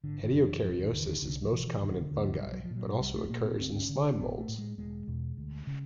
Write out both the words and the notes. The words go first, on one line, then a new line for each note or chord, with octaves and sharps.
Heterokaryosis is most common in fungi, but also occurs in slime molds.
G#1 D3
D#3
F#2 C#3
E3
E1 F3
D#3
D#2 D3
D#3
C2 D3
F3
B2 E3
E3
E1 D#3
D3
D#2 D3
F3
B1 G3
F#3
F3
A#2
F#3
C2 G3
A3
A#2 A#3
B3
D2 C4
C#4
D3
A#1 B3
A3
A2
G#3
E1 G#3
E2 B2
D2
C#3